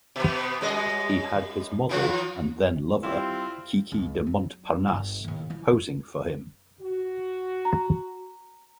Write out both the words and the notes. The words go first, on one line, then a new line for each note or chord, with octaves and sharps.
He had his model and then lover Kiki de Montparnasse posing for him.
B2 B3
F#2 G3 D#5
E3 F3 F4
G3 C4 E4 F4
C#2 B3
F#3
G1
D#2 A2
F3 E4
F#4
A#5